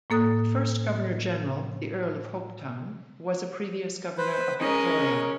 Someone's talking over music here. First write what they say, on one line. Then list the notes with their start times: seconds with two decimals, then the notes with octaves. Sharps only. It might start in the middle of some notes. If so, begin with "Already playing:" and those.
The first Governor-General, the Earl of Hopetoun, was a previous Governor of Victoria.
0.10 A2 A#3 A4 D#6 F#6
4.18 B4 C5
4.60 G#3 C#4 A#4 D#5